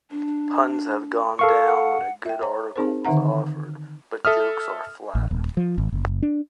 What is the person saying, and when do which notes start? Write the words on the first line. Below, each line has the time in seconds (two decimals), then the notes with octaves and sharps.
Puns have gone down when a good article was offered, but jokes are flat.
0.11 D4
1.39 A4 A#4 F5 C#6
1.66 F#5
2.26 E5 G5
2.42 C#5 A#5
2.76 C4 D#4 G#4 A#4 C5
3.05 D3 D#3 D#4 E5 F#5 A#5
4.25 A4 E5 D#6 F6
5.15 A1
5.31 D#1
5.57 F3
5.78 G#1
5.92 F#1
6.22 D4